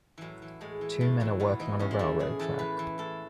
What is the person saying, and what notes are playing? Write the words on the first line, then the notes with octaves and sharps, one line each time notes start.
Two men are working on a railroad track.
A2 E3 F#3
E3
A2 G#3
E3
A2 A3
E3 F#3
A2 B3
E3 D#4
A2 C#4
G#3
E3 A3
A2 G#4
E3 A4
A2 B4
E3
A2 A4